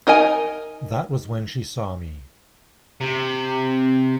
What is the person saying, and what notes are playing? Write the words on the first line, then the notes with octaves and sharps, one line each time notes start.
That was when she saw me.
D#4 A#4 D#5 G#5
C3